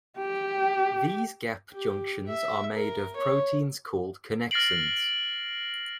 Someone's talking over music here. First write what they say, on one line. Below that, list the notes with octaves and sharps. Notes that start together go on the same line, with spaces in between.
These gap junctions are made of proteins called connexins.
G4
G4
E5
A#4
C#5
F6 A6 A#6 C7 D7 F#7